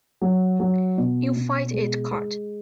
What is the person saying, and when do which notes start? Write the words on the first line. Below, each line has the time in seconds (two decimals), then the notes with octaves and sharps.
You fight it cut.
0.22 F#3
0.60 F#3
0.98 B2
1.36 B2
1.73 G#3
2.11 G#3